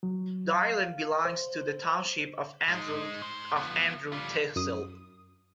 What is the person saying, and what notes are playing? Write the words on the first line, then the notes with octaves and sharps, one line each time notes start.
The island belongs to the township of Andrott of Andrott Tehsil.
F#3
F5
C5
G#3 D#4
G#2 C5
F3 B3
G3 F4
F#2 D#6